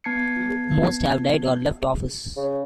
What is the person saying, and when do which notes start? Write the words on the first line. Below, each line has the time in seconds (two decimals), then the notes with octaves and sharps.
Most have died or left office.
0.04 B3 A5 G#6 C7 C#7
2.37 C#3